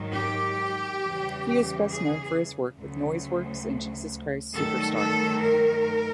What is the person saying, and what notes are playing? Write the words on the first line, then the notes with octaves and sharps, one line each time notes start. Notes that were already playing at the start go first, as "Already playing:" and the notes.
He is best known for his work with Noiseworks and Jesus Christ Superstar.
Already playing: G#2 D#3 F#3
G4
E2 C#3 E3 G3
G#4
D2 C#3 F#3 A3
G2 D#3 F#3 A3 A4
A4
A#4